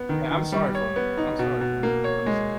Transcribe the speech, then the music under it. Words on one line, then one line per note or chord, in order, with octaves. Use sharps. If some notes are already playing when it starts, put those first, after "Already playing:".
Yeah, I'm sorry for him, I'm sorry for him, honestly,
Already playing: B3
D#3
D#3
G3
C#5
B3
D#4
B2
B2
A#3
C#5
G#3